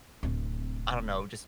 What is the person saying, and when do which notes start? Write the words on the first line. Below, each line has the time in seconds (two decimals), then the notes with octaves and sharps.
I don't know, just
0.23 D1 C3